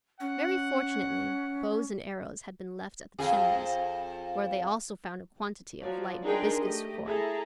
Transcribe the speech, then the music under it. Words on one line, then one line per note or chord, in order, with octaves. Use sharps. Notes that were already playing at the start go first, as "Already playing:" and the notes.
Very fortunately bows and arrows had been left at the Chimneys, where they also found a quantity of light hibiscus cord.
C#4 F#5
F2 G#4
F3 F#3 D5
D4 D#4 G#4 A#4 G5 C6
A3 G4 D#5
E4 G#4 A4 E5 A5 A#5